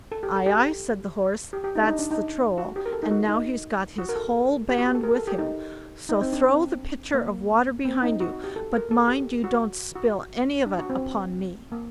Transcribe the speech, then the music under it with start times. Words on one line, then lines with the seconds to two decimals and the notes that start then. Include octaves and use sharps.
'Aye, aye', said the Horse, 'that's the Troll, and now he's got his whole band with him, so throw the pitcher of water behind you, but mind you don't spill any of it upon me.'
0.12 A4
0.23 G4
0.36 A4
0.46 G4
1.53 G4
1.64 G4
1.75 D#4
1.83 D4
1.87 D#4
1.99 D4
2.11 D#4
2.58 F#4
2.76 G4
2.86 A#4
2.93 A4
3.03 D#4
3.11 F#4
3.28 D#4
3.98 F#4
4.09 A#4
4.16 A4
4.69 G4
4.78 F#4
4.86 G4
4.95 A4
5.03 A#4
5.16 A4
5.27 G4
5.38 D#4
6.09 D#4
6.21 C4
6.33 D4
6.44 C4
7.14 A#3
7.85 C4
8.03 D#4
8.20 F#4
8.32 F#4
8.44 G4
8.56 A4
8.74 A#4
8.91 A4
9.08 G4
9.44 F#4
9.96 F#4
10.66 D4
10.79 F#4
10.90 C4
11.72 A#3